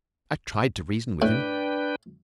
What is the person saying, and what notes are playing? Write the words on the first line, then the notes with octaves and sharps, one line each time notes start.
I tried to reason with him.
A2 D4 B4 G5